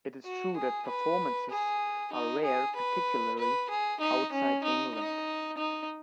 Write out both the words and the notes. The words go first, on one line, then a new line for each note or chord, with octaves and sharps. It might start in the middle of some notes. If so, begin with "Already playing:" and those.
It is true that performances are rare, particularly outside England.
F#4
G#4
B4
G#4
D#4
G#4
B4
B4
G#4
D#4
C#4
D#4
D#4
D#4